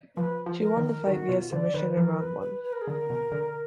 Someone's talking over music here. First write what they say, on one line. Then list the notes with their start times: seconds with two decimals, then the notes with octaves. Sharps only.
She won the fight via submission in round one.
0.17 F3 B4
0.46 F3
0.62 A#4
0.77 D#3
0.84 A#4
1.07 D#3 F#4
1.29 B2 F4
1.51 D3 D5
1.74 D#3 B4
1.97 F3 A#4
2.19 B4
2.41 B4
2.64 B4
2.73 A#4
2.81 G#4
2.87 D3 A#4
3.10 B2
3.32 D3